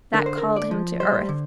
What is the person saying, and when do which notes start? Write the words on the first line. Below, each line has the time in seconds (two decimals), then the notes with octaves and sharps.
That called him to earth.
0.14 D3 A#4
0.26 C5
0.37 A#4
0.42 D3
0.56 D5
0.71 F3
1.00 G3 C5
1.29 D3